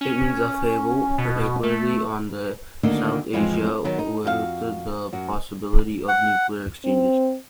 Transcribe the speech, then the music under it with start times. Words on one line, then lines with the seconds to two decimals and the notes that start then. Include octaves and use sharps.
It means upheaval, particularly on the South Asia, with the possibility of nuclear exchanges.
0.01 C#4
1.18 B2
1.63 A3
2.83 D2 D3 D#3 A#3 D#5
3.33 F2 E3 F3 G#3 C4
3.84 D#3 F#3 B3
3.99 D#4
4.24 F2 F#4 A4 F5
5.13 F#2 F#4
6.08 F#5
6.85 C4